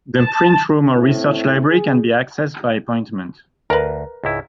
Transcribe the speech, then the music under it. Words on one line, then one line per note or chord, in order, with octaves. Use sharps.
The Print Room or Research Library can be accessed by appointment.
A5
A2 C4 E4
G#4
D2 A#4 B4
C#2 G#2 E4